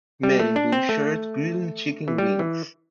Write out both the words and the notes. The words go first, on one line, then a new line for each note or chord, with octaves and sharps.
Man in blue shirt grilling chicken wings.
G3
A3
D4
C4
A3
E3
G3
E3